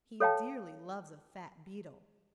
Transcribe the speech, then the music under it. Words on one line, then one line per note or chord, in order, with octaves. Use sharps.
He dearly loves a fat beetle.
A4 C#5 F5 G5 A5